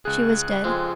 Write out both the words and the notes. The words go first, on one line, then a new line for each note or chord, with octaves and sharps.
She was dead.
C#2 G#4 F#6
F2 G#3